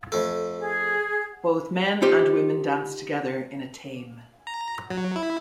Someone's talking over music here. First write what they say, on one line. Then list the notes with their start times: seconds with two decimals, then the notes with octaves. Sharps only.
Both men and women dance together in a "tame".
0.12 F2 A3
0.60 G#4
2.02 D#4 F4 G4 C5
4.47 A#5
4.90 F#3
5.16 E4